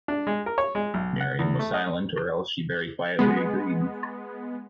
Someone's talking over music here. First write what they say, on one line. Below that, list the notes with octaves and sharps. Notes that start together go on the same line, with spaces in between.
Miriam was silent, or else she very quietly agreed.
D4
G#3
A#4
C#5
G#3
B1
F#5
E2
A3
D#5
G#3 B3